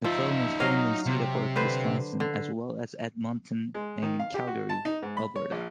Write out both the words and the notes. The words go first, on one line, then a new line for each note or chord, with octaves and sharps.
The film was filmed in Cedarburg, Wisconsin, as well as Edmonton and Calgary, Alberta.
F3 D#4 E5
F#3 D#5 F5
C3
D3 B4 C5
D3
G#3
D#3
F5
G4
F#4
A5
D#4
G#2
B5
C#5
A#1